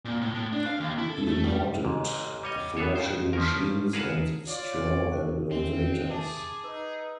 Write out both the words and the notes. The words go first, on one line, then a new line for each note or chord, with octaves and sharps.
He imported thrashing machines and straw elevators.
A#2
A2
A2
D4
F5
D#2
E4
A4
A3
G3
A1 G#2
G3 C#5 D#5
B3 G#4 A4 C#5
F2 C5
F3 C#4 A#4
G#4 A#4 B4 F5 F#5 A5
F4 C#5 D5
D#3 C4 C#4 G4 E5
G#4 A5 D6
D#4 B4 D#6 E6